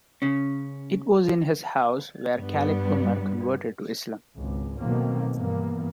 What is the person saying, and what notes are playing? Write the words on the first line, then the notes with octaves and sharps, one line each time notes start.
It was in his house where Caliph Umar converted to Islam.
C#3 C#4
G2 G3 B3
G#1 C#2
B2 D#3 F#3 A3 A#3 C4
G2 E3 A#3 B3